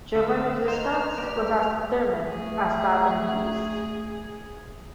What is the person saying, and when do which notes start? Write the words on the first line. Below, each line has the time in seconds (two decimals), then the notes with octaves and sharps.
German resistance was as determined as that in the east.
0.16 D3 F5 E6
0.68 D#4 B4 C5 F6
1.18 A#3 G4 D5
2.25 A3 G#4